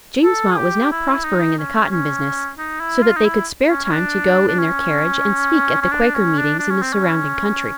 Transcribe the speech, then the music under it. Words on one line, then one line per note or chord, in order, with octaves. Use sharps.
James Mott was now prospering in the cotton business, so that they could spare time to go in their carriage and speak at the Quaker meetings in the surrounding country.
A4
G#4
G4
E4
D#4
C#4
C#4
D#4
E4
F4
D#4
E4
C#4
C#4
D4
D4
C#4
C#4
D4
C#4
D4
D4
C#4
C4
C#4